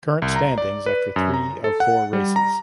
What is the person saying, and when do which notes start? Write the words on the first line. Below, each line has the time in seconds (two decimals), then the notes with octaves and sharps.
Current standings after three of four races.
0.22 C2
0.36 A#5
0.58 D5
0.86 B4
1.16 F#2
1.34 A#5
1.64 A4
1.80 F#5
2.13 G3
2.36 A#5